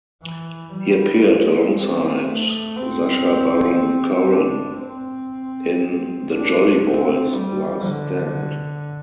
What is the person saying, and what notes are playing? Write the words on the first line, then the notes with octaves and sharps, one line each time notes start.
He appeared alongside Sacha Baron Cohen in "The Jolly Boys' Last Stand".
E3
G3
A3
C4
A3
C4
D4
C4
D4
C4
G3
D3